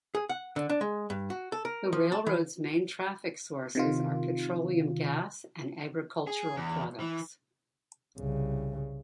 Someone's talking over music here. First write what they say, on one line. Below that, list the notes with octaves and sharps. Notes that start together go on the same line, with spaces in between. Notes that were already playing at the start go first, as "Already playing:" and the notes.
The railroad's main traffic sources are petroleum gas and agricultural products.
G#4
F#5
D3
D4
G#3
G2
F#4
A4
A#4
F3
A5
E3
C3 D#3 F4
G#4
E2
E3
C2 C#3